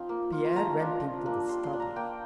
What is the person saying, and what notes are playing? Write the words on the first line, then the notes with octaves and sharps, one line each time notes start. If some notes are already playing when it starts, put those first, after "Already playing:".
Pierre went into the study.
Already playing: F3 C4 D#4 F4
A#3
F4
C6
A3 A#5
D4 F4
F3
A#3 D4
G3 C6
C6
D4 F4
A#5
A#3 G5